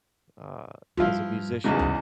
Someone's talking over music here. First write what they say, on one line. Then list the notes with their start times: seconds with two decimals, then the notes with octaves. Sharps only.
uh, as a musician
0.97 G2 F3 E4 F4
1.64 E2 G#2 C#3
1.79 D2